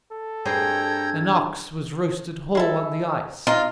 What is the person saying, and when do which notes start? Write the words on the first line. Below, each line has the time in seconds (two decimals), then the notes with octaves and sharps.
An ox was roasted whole on the ice.
0.11 A4
0.45 G2 C4 G#4 G5 A#5 G#6
2.55 G#3 E4 A4
3.47 D#4 F4 D#5 A#5